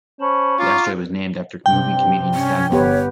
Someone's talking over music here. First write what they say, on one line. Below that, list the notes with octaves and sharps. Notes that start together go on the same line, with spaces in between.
The asteroid was named after movie comedian Stan Laurel.
C#4 C5 A5 B5
F4 A#5 C#6 D6
G2 C3 G5
C#4
G1 B3 G4 B4 C#5